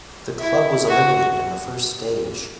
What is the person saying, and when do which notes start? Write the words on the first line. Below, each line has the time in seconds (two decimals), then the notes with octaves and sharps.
The club was eliminated in the first stage.
0.40 E4
0.88 F#4